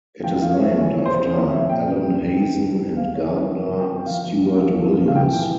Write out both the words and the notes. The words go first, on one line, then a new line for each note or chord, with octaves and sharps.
It is named after Allen Hazen and Gardner Stewart Williams.
F3 G5
F3 F5
C#5
C3 E5
E3 C#5
E3
C5
C3
F3 C#5
F3 E5
A#2 G5
E3
E3
C3
E3
E3
C3
E3 F5
E3 C#5
C3
F3
F3
G5
C3
G5
F3 F5
F3
C3
F3
F3
A#2
F5
E3 G5
E3 G5